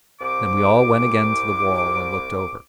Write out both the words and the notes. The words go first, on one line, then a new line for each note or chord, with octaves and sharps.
Then we all went again to the wall and looked over.
C2 D6